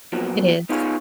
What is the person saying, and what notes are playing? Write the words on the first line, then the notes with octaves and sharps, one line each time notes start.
It is.
F2 A#2 F3 F#3 B3
B3 D#4 F4 G#4 B4 C#5